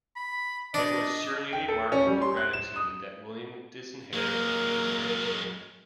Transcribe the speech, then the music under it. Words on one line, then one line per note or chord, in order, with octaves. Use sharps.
It was surely a mark of ingratitude that William disinherited Mead's grandchildren.
B5
D4 D#5
G5
A4
C#4
G3
C6
F#6
E7
D#6
F#3 G#3 A#3 A#4